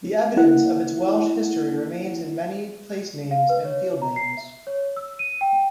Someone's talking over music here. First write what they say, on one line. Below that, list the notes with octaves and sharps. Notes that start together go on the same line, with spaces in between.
The evidence of its Welsh history remains in many placenames and field names.
A#3 E4 F#5
F5
B4
C#5
A#5
C7
E5
C#5
E6
D#7
G5